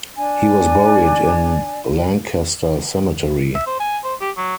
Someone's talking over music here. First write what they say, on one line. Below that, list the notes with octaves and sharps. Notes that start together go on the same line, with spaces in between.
He was buried in Lancaster Cemetery.
D4 D5 G#5
E5
C5
G#5
C5
G4
F#3